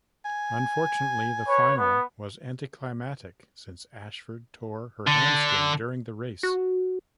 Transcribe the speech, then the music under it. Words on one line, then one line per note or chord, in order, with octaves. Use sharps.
Unfortunately, the final was anticlimactic since Ashford tore her hamstring during the race.
G#5
B4 C#5
B3
D3
F#4